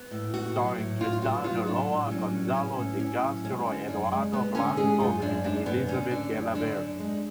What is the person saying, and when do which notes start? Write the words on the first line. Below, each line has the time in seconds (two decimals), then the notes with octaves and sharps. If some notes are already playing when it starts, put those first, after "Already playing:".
Starring Tristán Ulloa, Gonzalo de Castro, Eduardo Blanco and Elisabet Gelabert.
Already playing: B3
0.11 A2
0.34 B3 F#4
0.56 F#3
0.78 A2
1.00 F#3 F4
1.22 B3 F#4
1.44 F#3 F4
1.66 A2 D4
1.89 A2
2.11 F#3 C#4
2.33 A2
2.55 B3 C#4
2.78 A2
2.99 A2 C#4
3.22 F#3
3.45 G#3 C#4
3.66 D3
3.88 F#2 D4
4.11 G#3
4.33 G#3 B3
4.55 D3 C#4
4.77 G#3 G#4
5.00 F#2 F4
5.21 F#2 D4
5.44 F#2 D4
5.66 F#2 B3
5.88 D3 C#4
6.11 D3 D4
6.32 F#2
6.55 D3 D4
6.77 F#2
6.99 G#3